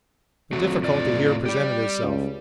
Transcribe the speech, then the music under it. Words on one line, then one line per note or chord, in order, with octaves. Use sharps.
A difficulty here presented itself.
F2 F#3 A3 F#4
A2 D5
G4 D5
C#2